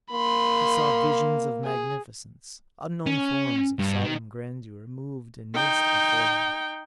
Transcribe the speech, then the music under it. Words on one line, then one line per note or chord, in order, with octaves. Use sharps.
He saw visions of magnificence; unknown forms of solemn grandeur moved in mist before him.
A#3 B5 C6
G#4
C#4
G2
D#3
D#4 G5